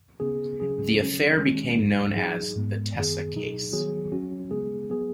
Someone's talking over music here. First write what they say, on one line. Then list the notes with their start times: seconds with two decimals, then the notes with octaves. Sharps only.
The affair became known as the "Tessa-case".
0.20 C#3 B3 G#4
0.60 C#3 F#3 C#4 G#4
0.99 C#3 F#3 C#4
1.38 D#3 G#3 C#4
1.77 G#2 F#3 D#4
2.16 F#3 D#4 G#4
2.56 G#2 G#3 B3
2.94 F#2 D#3 B3 G#4
3.34 B2 F#3 D#4 G#4
3.73 D#3 F#3 B3 G#4
4.12 F#3 C#4 F#4
4.51 C#3 G#3 B3 G#4
4.90 F#3 B3 G#4